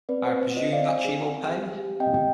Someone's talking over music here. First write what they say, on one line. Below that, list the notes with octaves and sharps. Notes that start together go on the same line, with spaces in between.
I presume that she will pay.
C4 B4 D5
C5
C4
C5
F4 C5 D#5
D5 F5
C4
F5 G#5
G#4
C4
G4
G4
C4 D#5 G5
G5